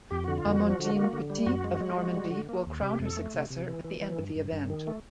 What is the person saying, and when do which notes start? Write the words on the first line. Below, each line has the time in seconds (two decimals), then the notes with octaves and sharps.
Amandine Petit of Normandy will crown her successor at the end of the event.
0.11 F2 G4
0.24 D3 F#4
0.38 F4
0.45 F2
0.51 F#4
0.62 F3
0.79 D3
0.96 A#3
1.13 D3
1.30 G3
1.46 F#2 F#4
1.64 G#3
1.80 G#3
1.97 G#3
2.15 G3
2.31 D3
2.49 A#3
2.66 D#2
2.82 C3 G4
2.99 F2
3.05 A4
3.17 A3
3.34 C3
3.50 C3
3.68 E3
3.84 E3
4.01 E3
4.19 G2
4.36 G2
4.52 G2
4.70 D#3
4.87 A3